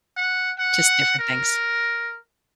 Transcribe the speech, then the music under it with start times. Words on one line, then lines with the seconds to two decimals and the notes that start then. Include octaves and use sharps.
just different things.
0.17 F#5
0.59 F#5
1.19 A#4